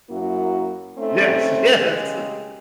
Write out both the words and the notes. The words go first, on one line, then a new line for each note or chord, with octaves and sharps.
Yes, yes!
F#2 A#3 E4 F#4
A3 C4 C#4 D#4
C#3 G#3 G4